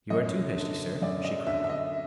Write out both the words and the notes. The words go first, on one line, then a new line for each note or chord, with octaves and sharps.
"You are too hasty, sir," she cried.
F#2 D#5
D3
F#2 D5
D#5
D3 E5
E5
D#5